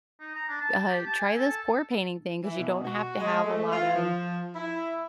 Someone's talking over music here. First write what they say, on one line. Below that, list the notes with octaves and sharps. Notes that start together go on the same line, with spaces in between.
uh, "Try this pour painting thing." 'Cause you don't have to have a lot of
D#4
A#5
D4
A5
A5
G4
A5
G#5
A4
A4
E3
B2
F#4
G#3
A3
F4
F3
E4